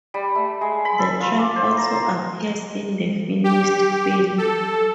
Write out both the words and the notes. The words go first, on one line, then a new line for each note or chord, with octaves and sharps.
The track also appears in the finished film.
G3
A3
G#3
B5
A4
F4
D6
C5
A#5
G4
A4